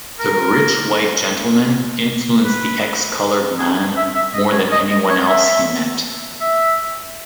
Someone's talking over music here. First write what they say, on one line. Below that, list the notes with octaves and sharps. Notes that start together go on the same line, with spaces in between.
The Rich White Gentleman influenced the Ex-Colored Man more than anyone else he met.
A#4
B4
G#4
E5
E5
D#5
C#5
D#5
D#5
C#5
E5
E5